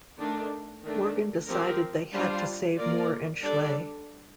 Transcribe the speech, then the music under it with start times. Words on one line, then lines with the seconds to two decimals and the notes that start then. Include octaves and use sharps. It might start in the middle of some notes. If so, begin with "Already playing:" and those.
Morgan decided they had to save Moore and Schley.
0.18 D#3 A3 D4
0.83 D#3 A3 D4
1.48 F3 C4 G4 A#4
2.13 G3 D4 F4 C5
2.78 A#3 F4 A#4 D5
3.42 G3 D4 A4 D5